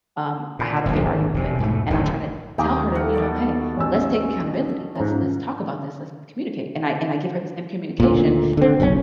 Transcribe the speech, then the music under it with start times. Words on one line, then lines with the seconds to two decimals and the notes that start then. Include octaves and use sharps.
um, I had a big argument with and I'm tryna tell her to, you know, "Hey, let's take accountability. Let's let's talk about this. Let's communicate." And I and I give her the same communication.
0.59 A#2
0.85 D1 A#1 D#2 C3
1.00 G#1
1.34 E1 C3
1.60 G#2 B2 A3
1.90 D1 A1 F#2 D3
2.58 D#2 D#4 F5 G5 D6
2.95 A3 A#4 F#5
3.13 B2 D5 A5
3.77 A1 G#5 E6
4.95 G#2 F3 C#4 A#5
8.00 D2 A#2
8.57 D3 C4
8.80 F#1 B1 C4 C#4